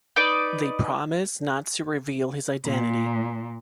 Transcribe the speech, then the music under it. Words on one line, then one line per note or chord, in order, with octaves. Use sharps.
They promise not to reveal his identity.
D#4 B4 D5 D6
A#2